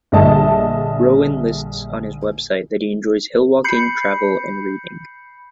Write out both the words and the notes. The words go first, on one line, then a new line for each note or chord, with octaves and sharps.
Rowen lists on his website that he enjoys hill-walking, travel and reading.
A#1 D3 G3 D#5 E5 A5
B5 G6 C7 C#7